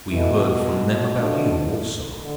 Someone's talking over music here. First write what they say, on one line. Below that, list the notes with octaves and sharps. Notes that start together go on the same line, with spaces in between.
We heard from them about you also.
B2 E3 A3 E4
F3 A3 D4
D3